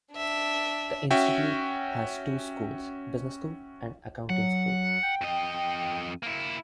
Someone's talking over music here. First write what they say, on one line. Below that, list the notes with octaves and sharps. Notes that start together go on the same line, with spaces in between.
The institute has two schools: Business School and Accounting School.
D4 E5
C#4 F#4 E5 G5
F#3 F#5
G5
F2 D#5
A#3 E4